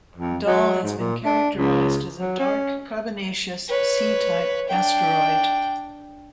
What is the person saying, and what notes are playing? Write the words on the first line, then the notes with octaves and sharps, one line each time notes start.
"Dahl" has been characterised as a dark, carbonaceous C-type asteroid.
F2
F#3
G#2
A#2
D4
C#2
F#3
C#4
B4 C#5
D4 G5